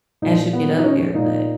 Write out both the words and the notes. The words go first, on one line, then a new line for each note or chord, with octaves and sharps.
as you get up there, but,
A#2 D#4
B3
D#4
C#4
A#2 D#4